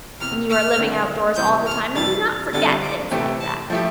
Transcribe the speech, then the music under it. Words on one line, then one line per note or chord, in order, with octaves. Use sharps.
When you are living outdoors all the time you do not forget things like that.
E2 C3 E3 F6
F6
D3 G3 C4 E4 G4
C3 E3 G3 B3 G6
F6
F2 C3 E3 G3 A6
D3 G3 C4 F4 A4 A6
D6
C3 E3 A3 C4 G4
A5
F3 A3 E4 G4